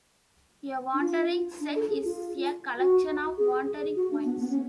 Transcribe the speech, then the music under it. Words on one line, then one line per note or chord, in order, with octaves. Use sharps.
A wandering set is a collection of wandering points.
D4
F4
D4
A4
G#4
F4
F#4
G#4
F#4
D4
B3
B3
C#4